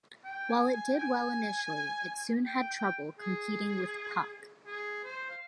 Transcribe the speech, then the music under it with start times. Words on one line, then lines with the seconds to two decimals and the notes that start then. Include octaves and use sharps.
While it did well initially, it soon had trouble competing with "Puck".
0.24 G5
0.49 G#5
0.74 G#5
0.94 G5
0.98 G#5
2.45 G5
2.70 G5
3.19 G#4
4.67 G#4
5.04 C5
5.30 F5